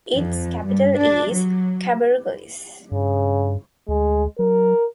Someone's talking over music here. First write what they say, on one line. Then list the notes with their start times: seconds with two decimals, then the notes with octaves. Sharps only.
Its capital is Cabarroguis.
0.15 F2
0.67 G2
0.98 D4
1.32 F#3
2.92 G2 C#3
3.88 D2 G#3
4.39 F#3 A#4